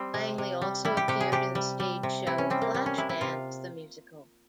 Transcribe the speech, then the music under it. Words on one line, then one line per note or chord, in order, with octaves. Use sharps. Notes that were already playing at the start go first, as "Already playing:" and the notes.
Langley also appeared in the stage show "Flashdance the Musical".
Already playing: G3 C4
C3
C3
G3
G3 E4
G4
C3 G4
G#4
C3 G4
G3
G3
C3
C3 E4
C#4
G3 C4
A#3
G3
C#4
C3 E4
E4
C3 F4